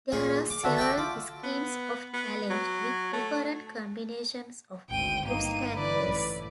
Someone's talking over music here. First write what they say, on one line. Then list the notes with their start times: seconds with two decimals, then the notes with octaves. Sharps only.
There are several screens of challenge with different combinations of obstacles.
0.12 A#2 G#4
0.50 D6
0.64 D3 F#4 A4 E5
0.77 D5 G5 A5
0.98 F4 D6
1.44 B3
2.14 B3
2.50 F#3
3.13 A3
4.90 G#1 D2 G5 D#7
5.25 G1 A#3 D#4 D#7
5.74 D3 E3 B4 D5
6.04 A1 A2